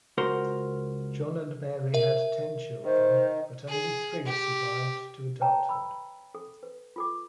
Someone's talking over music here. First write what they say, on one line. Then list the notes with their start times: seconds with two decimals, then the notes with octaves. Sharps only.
John and Mary had ten children, but only three survived to adulthood.
0.18 C#2 F#4 A#4 C5
1.94 A#4 E5
2.85 D#3 C5
3.68 G#4
4.26 G4
5.41 B4 C#5 G5 A5 A#5
5.69 B5 E6
6.35 A4
6.63 B4
6.96 F4 A4 D6